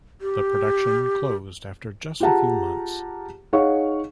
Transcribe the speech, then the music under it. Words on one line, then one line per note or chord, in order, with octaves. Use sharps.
The production closed after just a few months.
G4
F4 G4 G#4 F#5 A5 A#5
D#4 G#4 C#5 F5 F#5 C#6